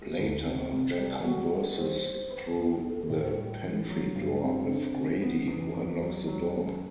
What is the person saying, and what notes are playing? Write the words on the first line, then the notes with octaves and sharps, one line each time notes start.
Later, Jack converses through the pantry door with Grady, who unlocks the door.
D2
C3
C2
G3
F#4
G3
C5
C5
B4
B3
A4
A2
G3
E3
F#3
G2
C4
D3
C3
B3
E2
E2
F#3
F#3
F#2